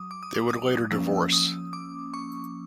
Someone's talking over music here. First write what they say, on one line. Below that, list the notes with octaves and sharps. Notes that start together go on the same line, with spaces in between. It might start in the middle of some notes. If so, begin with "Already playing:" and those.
They would later divorce.
Already playing: F#3 D6 D#6
D6
D#6
D6
D#6
F3 A#3 C#4 E6
D#6
D6
C#6